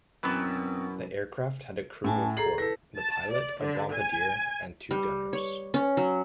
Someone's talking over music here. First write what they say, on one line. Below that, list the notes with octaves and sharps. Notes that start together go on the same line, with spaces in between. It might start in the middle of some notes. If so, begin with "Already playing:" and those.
The aircraft had a crew of four, the pilot, a bombardier, and two gunners.
F#2 B2 E3 F#3 B3 C4 B4
A2 C#4 G#5 A5
G#4 A4 A#5 C7 F#7
E4 A4 B4 A#6
A5
D5
D3
G#5
G3
C#5
C#4
F#3